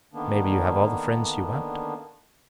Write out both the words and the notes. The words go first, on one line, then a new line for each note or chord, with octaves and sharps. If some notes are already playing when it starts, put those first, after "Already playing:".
But maybe you have all the friends you want.
D3 D#3 A#3 B3 D4